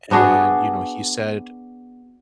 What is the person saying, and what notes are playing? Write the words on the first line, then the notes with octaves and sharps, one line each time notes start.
and, you know, he said
B3 D4 F#4 G#4